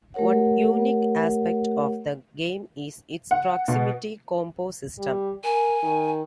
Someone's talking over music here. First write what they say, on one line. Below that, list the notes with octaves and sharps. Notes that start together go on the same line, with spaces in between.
One unique aspect of the game is its proximity combo system.
A3 G4 A#4 C#5 F#5
F#5
B2
G3
A#4 G#5
D#3